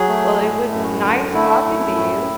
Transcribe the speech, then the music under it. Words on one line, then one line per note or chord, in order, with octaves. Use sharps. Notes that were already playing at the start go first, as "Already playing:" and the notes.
Well, it was nice talking to you.
Already playing: F#3 G#4
A3
A2
F#2
D3
A3 E4
F#2
A2